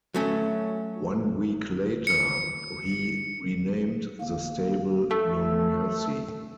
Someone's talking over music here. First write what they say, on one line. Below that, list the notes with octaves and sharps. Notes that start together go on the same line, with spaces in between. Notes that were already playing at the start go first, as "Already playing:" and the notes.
One week later, he renamed the stable No Mercy.
F#3 A3 C#4
C#7
A#3
A3 A4